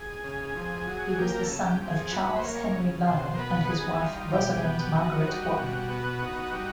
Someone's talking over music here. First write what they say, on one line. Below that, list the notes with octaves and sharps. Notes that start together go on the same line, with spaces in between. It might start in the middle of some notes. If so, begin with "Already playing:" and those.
He was the son of Charles Henry Lyell and his wife Rosalind Margaret Watney.
Already playing: G#4
C#3
F2
F#3
A#3 G4
A#4
A4
C#3
G4
F2 G4
G#4
F#3 B4
C5
A#3 C#5
C#3
B2 C5
A#4
B3 B4
D#4 G#4
E4
G3 F4
B2 G4
G#4
B3 G4
D#4 F#4
G3
B2
B3
D#4
G3